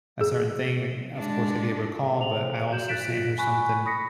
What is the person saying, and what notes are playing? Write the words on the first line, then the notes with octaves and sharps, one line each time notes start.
a certain thing, o of course, I gave her a call, but I also sent her something,
G#4
G#3 D4
G#4 C5 F7 F#7
F#4 G6 E7 F#7
F#6 A6 B6 D7 E7 F#7
F4 B6
G#5 B5 C#6 F#6 B6
B5 C#6 D#6 A#6 B6 C#7